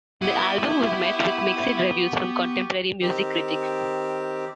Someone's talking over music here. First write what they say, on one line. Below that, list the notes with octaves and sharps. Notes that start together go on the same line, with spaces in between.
The album was met with mixed reviews from contemporary music critics.
B3 E4 G4 F#5 C#6
D#3 C4 G4